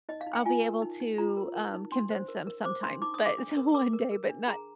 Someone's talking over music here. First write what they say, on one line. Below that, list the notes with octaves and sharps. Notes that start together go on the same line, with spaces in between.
I'll be able to, um, convince them sometime, but so, one day, but not
D#4 D#5
F5
D#4
G5
F4 G#5
A#4
D#4
D#4
F4 A#5
A#4
A#4
D#4
D4 C6
C5
A#4
A#4
C5 D6
D4 C6
D#4 D6
D#6
G#4
D6
D4
A#4
A#4 D6
A#4
A#4
D4
G#4 A#5